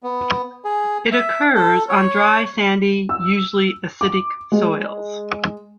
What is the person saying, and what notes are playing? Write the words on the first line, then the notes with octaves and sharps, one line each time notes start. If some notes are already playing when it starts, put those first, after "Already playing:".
It occurs on dry, sandy, usually acidic soils.
B3
G#4
E5
A4
C#5
E6
D6
G#3